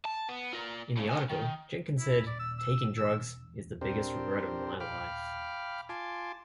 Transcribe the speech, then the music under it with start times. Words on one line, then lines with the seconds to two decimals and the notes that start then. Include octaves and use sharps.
In the article Jenkins said "taking drugs is the biggest regret of my life".
0.05 A5
0.29 B3
0.53 F4 A#4
0.97 A2 C#3
1.09 A3 G#5
1.30 D#3
1.99 E4
2.27 D5
2.39 E6
2.58 E6
2.97 E6
3.81 C4 D4 G4 A#4 C5
4.80 F5 G5 B5 D6 F6
5.89 F4 G#5 A5 C6 D6